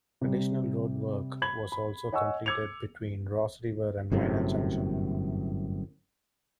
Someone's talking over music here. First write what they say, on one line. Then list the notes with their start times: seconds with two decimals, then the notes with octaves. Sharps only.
Additional road work was also completed between Ross River and Miner Junction.
0.21 C3 G3
1.42 B5 G#6 F#7
1.72 B5
2.12 C#5 D#5 F#5 G#5 C#6 E6
2.46 D6 E6 G#6 C#7 F7
4.11 G1 F#2 A2 C3